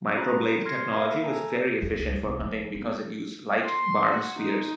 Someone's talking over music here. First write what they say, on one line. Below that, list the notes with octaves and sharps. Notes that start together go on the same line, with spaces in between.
Microblade technology was very efficient for hunting because it used light, barbed spears.
C#4 F4 F#4 A#5 B5 F#6
C6 F6 G#6 A#6 C7 C#7
A#3 A#4 E5 F5 B5 F6
A4 G#5 A#5
E2
C#2
C2
F3
B3
C6
F#4
D#4